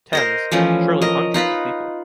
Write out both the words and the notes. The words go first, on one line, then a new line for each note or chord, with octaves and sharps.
Tens, surely hundreds of people.
A#4 C5 D#5
E3 F3 A3 C#4
A#4 D#5
D#4 F4 B4 B5